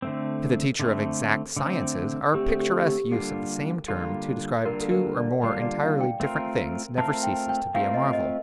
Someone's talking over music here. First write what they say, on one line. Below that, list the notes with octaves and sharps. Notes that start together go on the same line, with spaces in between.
To the teacher of exact sciences our picturesque use of the same term to describe two or more entirely different things never ceases to be a marvel....
D3 A3 C4
D3 A3 C4
D3 A3 C4
D3 A3 C4 G4
A4
G4
G4
D3 G3 A#3 D4 F4 A4
D3 G3 A#3 D4 F4 A4
D3 G3 A#3 D4 F4 A#4
A4
A#4
D5
D3 G3 A#3 D4 F4
D5
F5
G5
A3 C4 F4 A#4
A3 C4 F4 A#4 A5
G5
G5
A3 C4 F4 A#4 F5
D#5
D#5